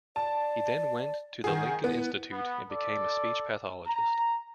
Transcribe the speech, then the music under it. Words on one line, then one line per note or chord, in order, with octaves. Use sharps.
He then went to the Lincoln Institute and became a speech pathologist.
D5 A5
D#3 G#4 F#5
B3 E4
B3
A4 D5
A#5